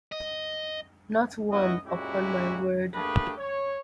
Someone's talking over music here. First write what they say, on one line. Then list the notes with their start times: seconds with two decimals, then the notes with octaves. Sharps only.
Not one, upon my word.
0.12 D#5
1.51 B3 C#4 E4 F#4 D#5
1.85 A#2 G#3 C#4 E4 F#4 G4
2.94 A3 A#3 D4 G4 G#4 B4
3.38 C#5